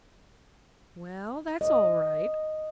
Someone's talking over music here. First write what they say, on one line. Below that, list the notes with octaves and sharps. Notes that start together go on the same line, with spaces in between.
Well, that's all right.
D#5